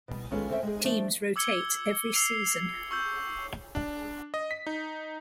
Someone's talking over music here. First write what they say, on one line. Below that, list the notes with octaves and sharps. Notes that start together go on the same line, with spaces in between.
Teams rotate every season.
B2 G3
D#3 G#3 C#4 F4 A4 B4
D2 C4 C#4 C5 D5 E5
G#3 G#4
F3 A3 D4
D6 E6 G#6 C#7 G7
E6 C7 C#7 F7 G7
C#6 E6 G6
D4
D#5
B6
D#4